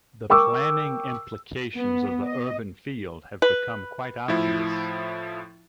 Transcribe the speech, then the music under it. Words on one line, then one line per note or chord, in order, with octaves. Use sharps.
The planning implications of the urban field have become quite obvious.
A#4 G5 C#6 D6 E6
B3
D#5
B4
A2 F3 E4